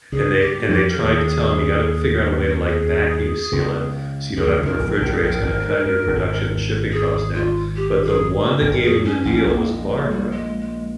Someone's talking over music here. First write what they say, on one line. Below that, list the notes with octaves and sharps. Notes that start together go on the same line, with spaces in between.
and they and they tried to tell him, "You gotta figure out a way to, like, vacuum seal it so you don't have to refrigerate. It's gonna cut your production and shipping cost down," but the one that gave him the deal was Barbara,
C#2 C#3 G#4
G4
F2 F3 G4
A#4
D#2 D#3 G#4
G#4
C#2 C#3
D#2 D#3 G#4
C#2 C#3
A#4
A#1 A#2
A#4
A#1 A#2
G#4
A#1 A#2 A#4
G#1 G#2
G2
G2
G#1 G#2
G#4
F4
G4
G#4
G#1 G#2 A#4
F2 G#4
G2 C#4
A#1 A#2 C#4
A#1 A#2 A#3
G#3
G#3
G3
G#3
G#3